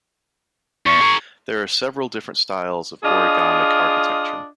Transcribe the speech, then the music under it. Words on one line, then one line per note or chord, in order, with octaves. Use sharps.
There are several different styles of origamic architecture.
E2 C#6
G#4 A#4
D4 F4 G#4 D#5